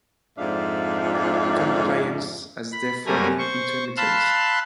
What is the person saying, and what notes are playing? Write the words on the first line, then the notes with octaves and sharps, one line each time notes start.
Compliance has therefore been intermittent.
F2 G#2 D4 D5 E5 F5
B5
F#2 G3 A3 A#3 G#5 A#5
C5 C#6
F5 A5 B5 C6 E6 F#6